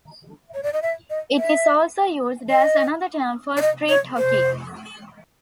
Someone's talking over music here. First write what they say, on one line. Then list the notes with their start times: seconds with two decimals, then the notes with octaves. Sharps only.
It is also used as another term for street hockey.
0.54 C#5
0.63 D5
0.73 D#5
0.82 E5
1.10 D#5
1.38 E5
2.50 D#5
3.57 D5
3.62 D#5
3.89 C#5
4.17 C5